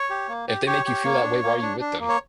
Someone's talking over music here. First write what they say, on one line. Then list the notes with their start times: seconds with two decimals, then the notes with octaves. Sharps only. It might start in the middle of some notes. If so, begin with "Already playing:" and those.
If they make you feel that way, why are you with them?
Already playing: C#5
0.10 G4
0.28 A#3
0.48 G4
0.66 G4 C#5
0.85 G4
1.04 A#3
1.23 D4
1.43 A#3
1.62 D4
1.80 D4
2.00 A#3
2.09 C#5